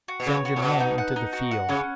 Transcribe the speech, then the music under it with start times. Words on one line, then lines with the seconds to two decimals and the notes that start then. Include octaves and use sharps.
Send your men into the field.
0.08 F#4
0.20 B2
0.26 C#3 C#5
0.45 F#4
0.56 A2
0.62 B2 F#5
0.80 D#4
0.98 F#5
1.16 D#4
1.33 F#4
1.51 F#5
1.69 C#3 C#4